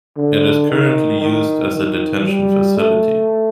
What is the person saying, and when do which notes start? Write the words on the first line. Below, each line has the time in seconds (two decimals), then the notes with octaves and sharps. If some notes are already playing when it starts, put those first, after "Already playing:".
It is currently used as a detention facility.
0.17 D3
0.69 D#3
1.21 D#3
1.73 D#3
2.26 G3
2.77 A3